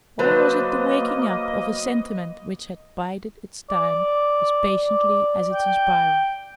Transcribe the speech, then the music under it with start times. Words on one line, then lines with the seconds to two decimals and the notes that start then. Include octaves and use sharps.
Or was it the waking up of a sentiment which had bided its time as patiently as its inspirer?
0.19 F#3 A#3 B4 C5 D#5 A6
3.70 D5
5.53 G5